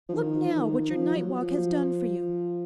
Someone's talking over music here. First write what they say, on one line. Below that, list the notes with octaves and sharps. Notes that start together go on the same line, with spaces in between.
Look, now, what your night walk has done for you!
F3
D#3
F3
D#3
F3
F#3
F3